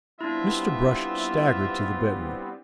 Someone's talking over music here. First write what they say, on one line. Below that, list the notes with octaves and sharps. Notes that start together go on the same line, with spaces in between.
Mr. Brush staggered to the bedroom.
G3 B3 C4 D4 E4 F4 E5